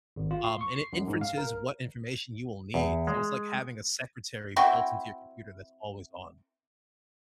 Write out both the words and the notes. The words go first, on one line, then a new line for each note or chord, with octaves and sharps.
um, and it inferences what information you will need, so it's like having a secretary built into your computer that's always on.
G#1
F4
C6
C#6
C7
F#2
G#2
F5
A#4
E2
G#3
C4 E4 F#4 G5